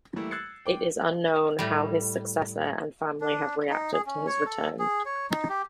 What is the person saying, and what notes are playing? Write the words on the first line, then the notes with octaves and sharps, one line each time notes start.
It is unknown how his successor and family have reacted to his return.
E3 G3 A3 A#3 E4
E6 F#6 G#6 A6 C7 C#7
G5 D6
A2 G3
D4
D#4
G#4
C#4
C#5
A4
G#4
C#5
D#4
G4